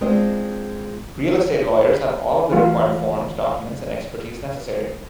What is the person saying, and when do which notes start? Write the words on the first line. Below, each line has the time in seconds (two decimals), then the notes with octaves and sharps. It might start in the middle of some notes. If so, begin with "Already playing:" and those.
Real estate lawyers have all of the required forms, documents and expertise necessary.
0.01 G#3 C4 D4 F4 D#5
2.51 E3 F#3 A3 F4 F#4